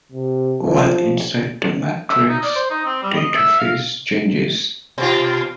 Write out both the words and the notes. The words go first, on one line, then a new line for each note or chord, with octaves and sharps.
While inside the Matrix, the interface changes.
C3
F3
E5
D#4
D5
C5
D#4
C4
G3
D#5
E5
F5
B2 F4